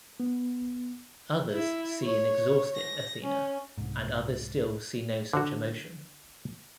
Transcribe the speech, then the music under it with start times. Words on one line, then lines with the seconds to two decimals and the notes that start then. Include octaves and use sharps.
Others see an 'exhausted Athena', and others still see no such emotion.
0.20 B3
1.54 E4
2.03 C#5
2.76 A#6
3.23 C#4
3.78 C2 G#2
5.33 D3 F#4